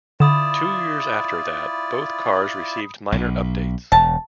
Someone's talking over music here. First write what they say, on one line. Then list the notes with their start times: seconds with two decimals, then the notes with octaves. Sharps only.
Two years after that both cars received minor updates.
0.20 D3 E4 F4 D5 B5 D#6 E7
3.12 B1
3.92 E1 A5